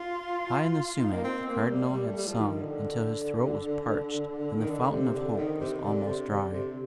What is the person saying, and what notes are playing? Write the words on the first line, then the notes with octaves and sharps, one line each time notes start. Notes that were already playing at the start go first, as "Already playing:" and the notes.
High in the sumac the Cardinal had sung until his throat was parched, and the fountain of hope was almost dry.
Already playing: F4
D#4
A#3
C4
A#3
G3
G3
A3
G3
F3
D#3
D3
D#3
D3
C3
D3
D#3
C3
D3
C3
D3
C3